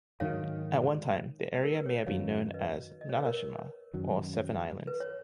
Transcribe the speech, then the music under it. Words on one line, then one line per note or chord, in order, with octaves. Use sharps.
At one time, the area may have been known as "Nanashima" or "seven islands".
G#2 D#3 F#3 C#5 F5
A#4
B4
C#5
D#5
F#2 D#3 F#3 C#5 F5
B4 D#5
D#5
C#5
B4
A#4 C#5
F#2 D#3 F#3 C#4
B4
C#5